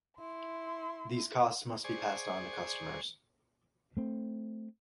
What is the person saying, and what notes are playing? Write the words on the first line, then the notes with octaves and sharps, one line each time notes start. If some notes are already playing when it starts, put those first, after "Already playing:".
These costs must be passed on to customers.
E4 C6
G#4 C5 D5 G#5 C#6
A3 C4